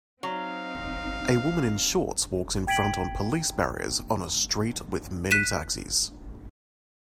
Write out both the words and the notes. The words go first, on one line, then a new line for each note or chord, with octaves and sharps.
A woman in shorts walks in front on police barriers on a street with many taxis.
F#3 C4 D#4 F5
G5 G#6 B6 D7 F#7
F#6 B6 D#7 E7